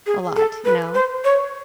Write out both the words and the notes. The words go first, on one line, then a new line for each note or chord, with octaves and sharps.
a lot, you know?
G#4
A4
B4
C5
C#5